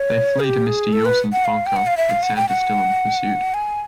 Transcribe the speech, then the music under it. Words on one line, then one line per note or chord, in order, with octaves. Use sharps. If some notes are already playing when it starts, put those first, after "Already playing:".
They flee to Mr. Yuleson's bunker, with Santa still in pursuit.
Already playing: C#5
G#4
G4
G#4
A4
B4
F#5
F5
G5
F#5
F5
E5
F5
F#5
G5
F#5
G#5